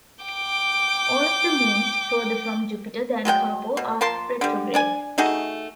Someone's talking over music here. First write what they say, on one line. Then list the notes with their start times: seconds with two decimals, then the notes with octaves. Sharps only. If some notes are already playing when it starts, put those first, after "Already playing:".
All of the moons further from Jupiter than Carpo are retrograde.
0.25 G5 D6
3.25 F#3 G#3 A4 G5
3.77 B2
4.01 F3 A#3 A5 C6
4.41 D3 G3
4.74 D4 D5 G#5
5.18 A3 D#4 F#4 G#4